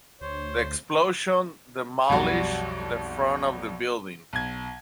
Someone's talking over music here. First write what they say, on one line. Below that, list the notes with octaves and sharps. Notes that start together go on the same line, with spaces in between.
The explosion demolished the front of the building.
D2 C5 C#5 C6
B1 F2 G3 F#4 D5
B1 G#6